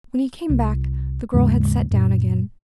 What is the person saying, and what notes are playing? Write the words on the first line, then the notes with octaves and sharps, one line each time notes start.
When he came back the girl had sat down again.
C2
D#2 G#2 C#3 G#3
F#2 A#2